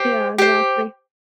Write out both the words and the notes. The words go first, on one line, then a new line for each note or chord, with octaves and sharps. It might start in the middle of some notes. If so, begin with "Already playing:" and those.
Yeah, exactly.
Already playing: G4 C5
G4 C5